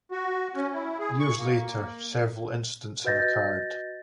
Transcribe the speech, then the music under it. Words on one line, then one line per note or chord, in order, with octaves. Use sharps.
Years later, several incidents have occurred.
F#4
C#4
E4
G#4
C#6
A#3
F#4 B4 D#5 G6 A6 A#6